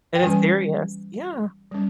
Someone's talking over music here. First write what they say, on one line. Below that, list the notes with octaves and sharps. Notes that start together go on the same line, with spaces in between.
And it's serious Yeah.
G5
E3 G3 C#4 G#5
G3 C#4